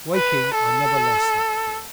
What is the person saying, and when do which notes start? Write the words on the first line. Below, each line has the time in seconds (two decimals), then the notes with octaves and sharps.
Waking, I never lost that fear.
0.15 B4
0.54 A4